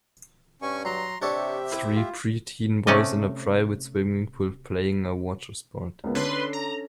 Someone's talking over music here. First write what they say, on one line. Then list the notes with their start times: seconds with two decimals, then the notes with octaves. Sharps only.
Three preteen boys in a private swimming pool playing a water sport.
0.62 G2 C#4 G#5 C#6
0.85 F#3 A#5 C6
1.22 C3 D4 G4 A4 C#5 E5
1.72 E4
1.96 F4
2.87 C3 A3 C#4 D5 D#5
6.04 C#2 A#3 B3
6.15 D3 C#4 B4 C6
6.53 A#5